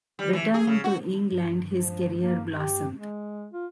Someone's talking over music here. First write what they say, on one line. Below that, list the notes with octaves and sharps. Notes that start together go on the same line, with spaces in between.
Returning to England, his career blossomed.
G3
E3
G#4
C#3
F#4
G2
F3
A#3
G4
G#3
F4